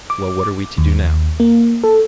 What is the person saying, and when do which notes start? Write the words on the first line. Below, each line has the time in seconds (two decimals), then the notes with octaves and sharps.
Well, what are we to do now?
0.10 D6
0.78 D#2
1.40 A#3
1.84 A4